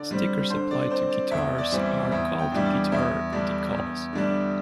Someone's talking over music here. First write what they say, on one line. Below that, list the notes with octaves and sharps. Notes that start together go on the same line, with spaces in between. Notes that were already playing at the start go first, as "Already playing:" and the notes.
Stickers applied to guitars are called guitar decals.
Already playing: D3 D5
G3 C4
D3 C5
D5
C4 C5
D5
E2 E5
D5
E3 G3 C4
E5
E2 E5
G5
E3 G3 D4
D5
E2 E5
D3 G3 D4
E2
D3 G3 D4